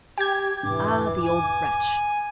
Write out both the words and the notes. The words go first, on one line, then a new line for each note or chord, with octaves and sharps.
Ah, the old wretch!
G4 G5 G#6
E1 G#2 E3 D4 D6
G#5